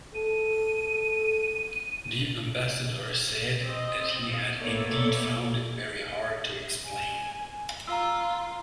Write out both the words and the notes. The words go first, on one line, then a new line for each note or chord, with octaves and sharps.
The ambassador said that he had indeed found it very hard to explain.
A4 D#7
C4 D#5
A#3 B3 A4 C#5 D5 E5
G#5
F4 A#5 E6